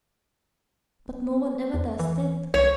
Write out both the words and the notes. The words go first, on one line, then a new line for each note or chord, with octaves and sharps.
"But no one ever does that!"
E2
E3
C2 C#5